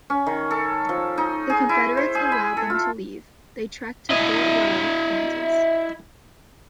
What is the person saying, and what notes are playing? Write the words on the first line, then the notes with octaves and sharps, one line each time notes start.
The Confederates allowed them to leave; they trekked to Fort Row, Kansas.
C#4
D#3
A4
F3
D#4
G#4
E4
C5
G#4
B5
A4
F4
E4 D#5